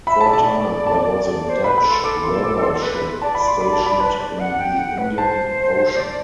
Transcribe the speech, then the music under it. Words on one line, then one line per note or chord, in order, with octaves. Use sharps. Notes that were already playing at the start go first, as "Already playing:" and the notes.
For a time, there was a Dutch weather ship stationed in the Indian Ocean.
E5 B5
A5
D5
A5
A5
D5
D5
C5
B4 B5
B5
A4
C6
A4 D6
C6
D6
C6
B4
D5 A5
B5
C6
B5
A5
B5
B4 A5
D5
F#5
G5
F#5
B4
C5 A5
D5